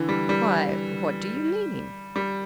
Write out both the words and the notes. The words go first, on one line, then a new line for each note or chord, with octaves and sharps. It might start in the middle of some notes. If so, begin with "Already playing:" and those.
"Why, what do you mean?"
Already playing: D3 E3
G3
G3
G3